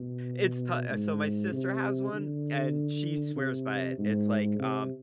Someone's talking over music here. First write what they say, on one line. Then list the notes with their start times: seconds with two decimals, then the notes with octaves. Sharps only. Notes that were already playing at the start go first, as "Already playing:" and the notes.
It's to Uh, so my sister has one, and she swears by it. It's like, um,
Already playing: B2
0.90 G#2
1.51 C3
2.13 D3
3.36 C3
3.98 G#2
4.59 C3